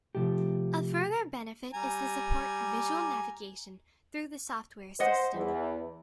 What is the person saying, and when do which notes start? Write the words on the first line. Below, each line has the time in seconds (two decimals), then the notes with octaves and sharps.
A further benefit is the support for visual navigation through the software system.
0.15 C3 F3 A3 G4
1.74 G3 G#5 A#5
5.00 C5 D#5 F#5
5.35 E2 E3